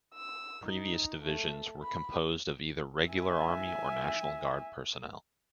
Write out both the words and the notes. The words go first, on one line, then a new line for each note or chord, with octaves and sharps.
Previous divisions were composed of either Regular Army or National Guard personnel.
E6
D#4
A3
B5
E5 G#5